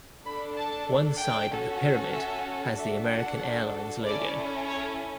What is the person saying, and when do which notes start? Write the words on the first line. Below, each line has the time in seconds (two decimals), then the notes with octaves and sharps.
One side of the pyramid has the American Airlines logo.
0.25 D4 A4 B5
0.57 A5
1.21 G5
1.52 C#4 F#4 A4
2.14 E5
2.78 D4 F#4 A4 E5
3.10 F#5
4.05 C#4 E4 A4 D5
4.68 C#5